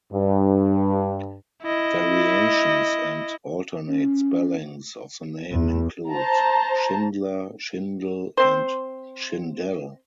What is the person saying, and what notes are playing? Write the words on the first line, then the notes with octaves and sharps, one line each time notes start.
Variations and alternate spellings of the name include: Shindler, Schindel, and Schindelle.
G2
E4 D#5
C#4
E2
C5 A5 A#5
C4 C5